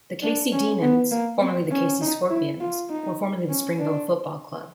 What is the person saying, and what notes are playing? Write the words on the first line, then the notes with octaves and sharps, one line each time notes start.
The Casey Demons, formerly the Casey Scorpions, were formerly the Springvale Football Club.
D4
C#4
B3
A#3
C4
C#4
D#4
E4
F4
D#4
C#4
D4